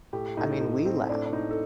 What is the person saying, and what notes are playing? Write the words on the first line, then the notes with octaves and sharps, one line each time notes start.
I mean, we laugh,
A2 G4
A2 D#4
A2
C4
A2 D4
D4
A2 D#4
A4